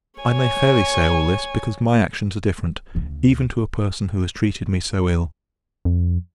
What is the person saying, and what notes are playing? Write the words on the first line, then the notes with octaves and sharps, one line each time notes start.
I may fairly say all this; because my actions are different, even to a person who has treated me so ill.
C#5 G#5
D2 C#3
F2